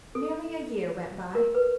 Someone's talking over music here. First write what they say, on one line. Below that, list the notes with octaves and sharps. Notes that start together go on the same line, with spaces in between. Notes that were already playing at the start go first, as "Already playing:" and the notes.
Nearly a year went by.
A4
A#4
B4